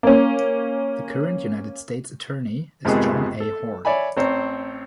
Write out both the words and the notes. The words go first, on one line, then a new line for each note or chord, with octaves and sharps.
The current United States Attorney is John A. Horn.
A#3 C#4
F2 G#2 C3 D#3 B3 G#4
A4
C#5 D5 E5 G#5 B5
A1 C4 C5 C#5 A#5